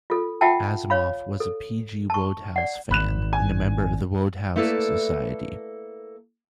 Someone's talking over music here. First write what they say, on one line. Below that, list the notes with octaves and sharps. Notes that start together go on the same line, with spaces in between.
Asimov was a P. G. Wodehouse fan and a member of the Wodehouse Society.
F4 A4
F4 E5 F#5 G5 A5
C#5 F5 B5
A4
A5 C#6
D5 F#5
G#1 B5 F#6 E7
G#5
A3 A#3 E4 A4 B4 D5